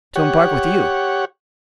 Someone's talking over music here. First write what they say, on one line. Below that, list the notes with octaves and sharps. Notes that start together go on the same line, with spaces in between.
"To embark with you."
G4 C#5 F#5